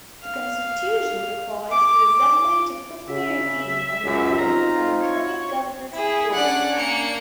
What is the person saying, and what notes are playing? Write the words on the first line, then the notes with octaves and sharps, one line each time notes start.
The constitution requires the assembly to quickly review and approve an incoming government's program.
F5
D6
C#3 E5
C#2 F#2
C4 D#4 F4 A#5
C#5
E4 G#4
C#4 D4 D5 F#5
A#3 C#7